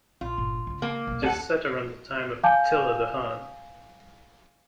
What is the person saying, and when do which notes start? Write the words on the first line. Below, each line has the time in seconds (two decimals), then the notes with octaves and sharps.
It is set around the time of Attila the Hun.
0.21 A#1 F4
0.37 G1 A#2
0.67 C#3 G#3
0.82 A#3
1.07 E1 G3
1.22 D#2 A#3 D4 A4 F#5
2.43 F5 G#5 A5 D6 G6